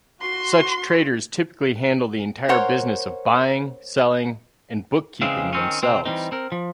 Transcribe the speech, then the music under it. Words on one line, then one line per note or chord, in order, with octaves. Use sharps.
Such traders typically handle the entire business of buying, selling, and book-keeping themselves.
F#4 C6
A#4 C5 C#5 F#5
C#3 E3 G#3 C4
D#3 C4 C#4
C3 C4
E3 G3 A#3 C4 D#4
C4 A#4
F3